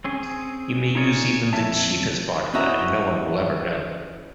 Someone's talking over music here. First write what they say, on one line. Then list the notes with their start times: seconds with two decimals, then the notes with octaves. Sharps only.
You may use even the cheapest vodka, and no one will ever know.
0.04 C4 C#4 G#4
0.95 D#4 F4 G#4 C#5 D5
1.53 F2 A#3 A4 C#5 E5 A5
2.53 C#4 E4 F#4 D#5 E5 A#5